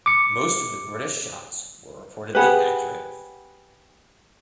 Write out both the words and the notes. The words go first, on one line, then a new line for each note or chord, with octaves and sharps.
Most of the British shots were reportedly accurate.
D6 C#7
G4 G#4 B4 F#5